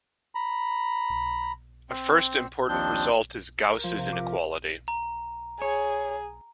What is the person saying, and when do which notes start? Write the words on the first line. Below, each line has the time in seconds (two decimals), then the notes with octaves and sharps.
A first important result is Gauss's inequality.
0.35 A#5 B5
1.90 C4
2.68 D#2 F3 C4 D4 G6
3.70 A#4
3.83 F3
3.97 C3
4.13 D6
4.88 A#5
5.62 G#4 C#5